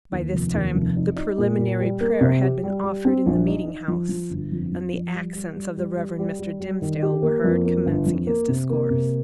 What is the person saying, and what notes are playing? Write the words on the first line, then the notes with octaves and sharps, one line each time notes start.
By this time the preliminary prayer had been offered in the meeting-house, and the accents of the Reverend Mr. Dimmesdale were heard commencing his discourse.
D#2
F1
D#2
F1
D#4
D#4
A#2
A#2
G3
A#3
C3
G4
G3
G3
C4
A#1
D#4
D#4
F3
F3
G1
F2
F3
F3
G3
G3
G3
G3
G3
G3
G3
G3
D#3
G4
A#3
F2
A#3
G1
F2
A#3
C3
A#3
C3